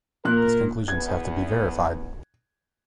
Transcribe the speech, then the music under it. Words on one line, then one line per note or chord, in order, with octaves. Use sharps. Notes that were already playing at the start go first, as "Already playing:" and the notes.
These conclusions have to be verified.
A#2 A#4 F#6
E2 B3 G#6